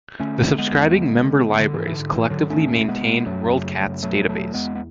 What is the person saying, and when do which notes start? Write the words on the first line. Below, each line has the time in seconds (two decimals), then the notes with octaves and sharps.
The subscribing member libraries collectively maintain WorldCat's database.
0.20 D3 A3 C#4
0.46 D3
0.58 G#3 B3
0.71 E2
0.97 D3
1.23 D3
1.48 D3
1.60 D3
1.74 G#2 E3
1.87 E3
1.92 D3
1.99 G#2
2.12 E3
2.25 G#2
2.30 D3 F#3
2.50 E2 A3 C#4
2.75 B2
2.88 G#3 B3
3.01 B2
3.26 F#2 F#3 A3
3.52 C#3
3.78 F#2
4.03 B2 F#3 A3
4.28 E2 F#3 A3
4.54 E2 G#3 B3
4.75 B3